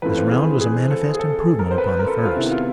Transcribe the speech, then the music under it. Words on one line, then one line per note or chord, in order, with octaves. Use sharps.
This round was a manifest improvement upon the first.
E3 A3 C4 F4 B4
C5
G#4
G#4
A4
G#4
A4
G#4
A#4
C5
B4
A#4
A4
F4
C3 D#3 G#3 B3 E4
F4